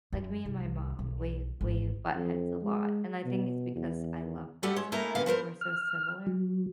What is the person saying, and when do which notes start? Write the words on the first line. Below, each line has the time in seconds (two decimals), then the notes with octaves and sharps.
like, me and my mom, we we butt heads a lot, and I think it's because I love her so much and we're so similar,
0.13 F#2
0.46 C2
0.99 B1
1.61 G#1
2.15 F2
2.63 G#3
3.25 B2
3.76 E2
4.63 G3 A3 G4 A4 D5 F#5
4.76 G#3 C#5
4.92 A3 A#3 C#4 E4 A#4 A#5
5.15 D2 A#2 D3 B3 G4 F5
5.26 F3 B3 A#4 C5
5.61 F6
6.27 F#3